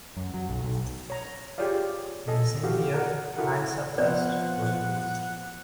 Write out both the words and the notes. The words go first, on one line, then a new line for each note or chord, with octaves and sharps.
In the same year Hansaplast was released.
F#2
F#3
B1
B1
C#5 A#5
F4 G4 G#4 C#5 D5 F5
A4 D#5 G#5
F#4 G4 F5
A#4 F#5
E4 F#4 A4 A#4 F#5
F3 B3 D5 F#5